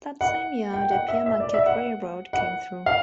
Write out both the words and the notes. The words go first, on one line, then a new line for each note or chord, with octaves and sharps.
That same year, the Pere Marquette Railroad came through.
F#5
G5
F#5
E5
E5
D5
E5
F#5
F#5
F5